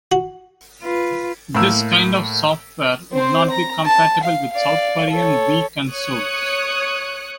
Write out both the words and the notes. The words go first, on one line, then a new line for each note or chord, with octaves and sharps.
This kind of software would not be compatible with South Korean Wii consoles.
F#4
F4 B4
A2 A#3 A#4 E6
C4 C5
A#5
A5
F5
D5 F5
A4 C#5
C#5 D#6 F#6 C#7